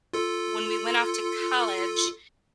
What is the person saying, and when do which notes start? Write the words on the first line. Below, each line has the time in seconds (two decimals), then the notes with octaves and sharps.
when we went off to college,
0.13 F4 A4